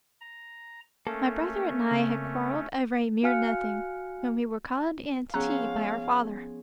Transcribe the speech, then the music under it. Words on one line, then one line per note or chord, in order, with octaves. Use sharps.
My brother and I had quarrelled over a mere nothing, when we were called in to tea by our father.
A#5
A3 A#3 C#4 A4
C#3 C4
F#4 F5 G#5 F6 F#6 C#7
F3 B3 C#4 G#4 F5 A#5 E6 F#6